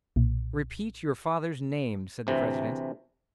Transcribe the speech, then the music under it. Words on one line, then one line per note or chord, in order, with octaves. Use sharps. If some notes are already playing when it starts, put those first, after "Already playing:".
"Repeat your father's name," said the president.
B1 A#2
D2 C3 E3